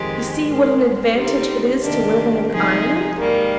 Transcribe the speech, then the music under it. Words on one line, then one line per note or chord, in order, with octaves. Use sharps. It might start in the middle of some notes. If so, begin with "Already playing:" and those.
You see what an advantage it is to live on an island!
Already playing: F2 D#3 G#3 C4 G4
G#2 D#3 G#3
D3 G3 C4 D#4
C3 D#3 A#3 D4 G4
C3 F3 G#3 D#4 G#4
G#2 D#3 G3 A#3